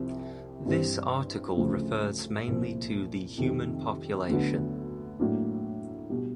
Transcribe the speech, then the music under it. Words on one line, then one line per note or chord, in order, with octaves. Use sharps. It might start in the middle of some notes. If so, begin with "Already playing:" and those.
This article refers mainly to the human population.
Already playing: C2 C3 F3
G2 E3 G3 C4
D2 C#3 F3 A3
C2 A#2 F3
F2 C3 D#3 G3
D2 D3 F#3 B3
A2 F#3 A#3 D4
B2 G3